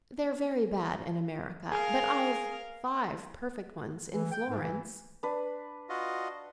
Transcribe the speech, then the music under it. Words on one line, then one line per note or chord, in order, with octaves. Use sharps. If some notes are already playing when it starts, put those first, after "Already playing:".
"They're very bad in America, but I've five perfect ones in Florence."
G#4 A#4 F5
E3
G5
G#2
E3
D4 B4
F4 F#4 D#5